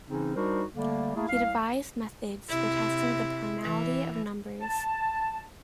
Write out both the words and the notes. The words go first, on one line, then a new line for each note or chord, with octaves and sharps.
He devised methods for testing the primality of numbers.
C#3 E3 C4 C#4 D#4
G3 D4 D#4 F#4 A#4 C5
D3 G3 A3 A#3
A3 A#3 E4 G#4
C2 F5
C3 E4
E3
A5